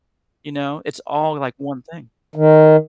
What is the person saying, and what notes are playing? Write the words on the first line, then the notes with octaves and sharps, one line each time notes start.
you know, it's all like one thing.
D#3